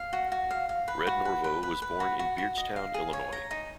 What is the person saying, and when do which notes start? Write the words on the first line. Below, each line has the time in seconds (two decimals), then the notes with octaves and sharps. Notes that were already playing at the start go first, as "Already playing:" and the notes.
Red Norvo was born in Beardstown, Illinois.
Already playing: F5
0.13 F#4
0.32 F#4
0.51 F5
0.69 F5
0.88 B4
1.07 F#4
1.25 B4
1.44 B4
1.63 B4
1.82 B4
2.00 F#4
2.19 F#4
2.38 F#4
2.57 D#5
2.76 F5
2.94 G#4
3.13 C#5
3.33 A#5
3.51 D#4